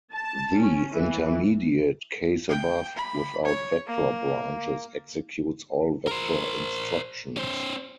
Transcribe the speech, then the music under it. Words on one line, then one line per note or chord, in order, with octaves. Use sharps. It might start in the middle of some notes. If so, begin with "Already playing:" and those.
The intermediate case above, without vector branches, executes all vector instructions.
A5
C#4
E3
G5
B5
C#5
A#3
A#4 C5
C#4 C5